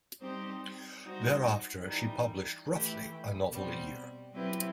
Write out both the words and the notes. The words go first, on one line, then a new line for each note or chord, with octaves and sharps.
Thereafter, she published roughly a novel a year.
G3 C4 D#4 G4 C5
G3 D#4 F#4 C5
E3 G3 D#4
E3 A3 E4 G4
B2 G3 C4
F#3 C4 E4 G4 B4